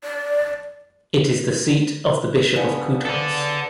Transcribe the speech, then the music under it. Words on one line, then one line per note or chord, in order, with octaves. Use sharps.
It is the seat of the Bishop of Coutances.
D5
C#3 B3 D4
A4 D5